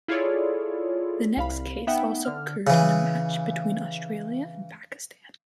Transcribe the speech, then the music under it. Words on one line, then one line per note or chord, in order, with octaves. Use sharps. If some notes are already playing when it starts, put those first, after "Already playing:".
The next case also occurred in a match between Australia and Pakistan.
E4 F4 G#4 A4 C#5 D5
C2 F5 B5
B3 D#4 E5 F#5 G5
D3 F6
C#3 E3